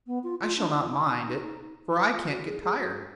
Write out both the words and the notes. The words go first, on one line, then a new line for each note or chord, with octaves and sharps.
I shall not mind it, for I can't get tired.
B3
F4
F4
D4
D#4
F4
D#4
F4
F#4
G#4
G#4
F#4